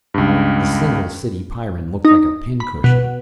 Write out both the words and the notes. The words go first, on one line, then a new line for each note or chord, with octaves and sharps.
The single city Pyrran looked like a pin-cushion.
C#2 G2
D#4
B5
B2